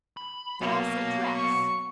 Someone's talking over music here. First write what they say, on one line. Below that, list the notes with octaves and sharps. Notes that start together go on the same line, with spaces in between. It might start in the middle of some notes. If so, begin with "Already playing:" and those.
"False address!"
B5
F#3 A#3 B3 F#4
C#6